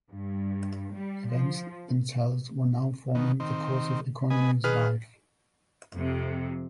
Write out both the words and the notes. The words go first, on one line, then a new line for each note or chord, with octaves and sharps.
Events themselves were now forming the course of Economou's life.
G2
G3
F3
B2 D#3
D#3 C4
B4 D#5 G#5
D#3 G#4 B4 F6
F2 C3